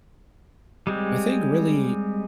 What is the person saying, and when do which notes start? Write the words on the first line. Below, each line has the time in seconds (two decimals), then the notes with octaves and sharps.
I think really,
0.87 G3 G#3 C4